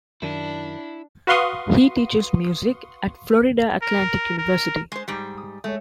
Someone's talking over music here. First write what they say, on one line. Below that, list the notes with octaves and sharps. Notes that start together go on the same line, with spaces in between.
He teaches music at Florida Atlantic University.
F#2 D#3 D4 E4
F#4 B4 F5 C6 C#6 D#6
A#4
A#4
G#3 C5
G#2 G3
D#6
G#3 A3 C#5